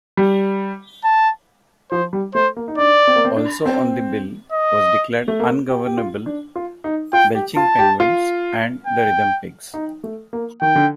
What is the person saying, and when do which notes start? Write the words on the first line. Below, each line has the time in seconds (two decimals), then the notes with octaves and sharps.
Also on the bill was Declared Ungovernable, Belching Penguins, and The Rhythm Pigs.
0.17 G3
1.04 A5
1.91 F3 C5
2.13 G3
2.35 A3 C5
2.56 A#3
2.68 D#4
2.78 D4 D5
3.07 C4
3.16 A#3
3.25 C4
3.37 D4
3.66 C4
4.52 D#5
5.28 A3
5.40 A#3
5.69 G4
5.85 G4
5.97 F4
6.26 D4
6.56 F4
6.84 D#4
7.13 F4 G5
7.35 G4
7.56 F4 A5
7.79 G4
8.00 F4
8.87 G5
9.74 D#4
10.04 A3
10.33 A#3
10.61 D#3 G5
10.76 D3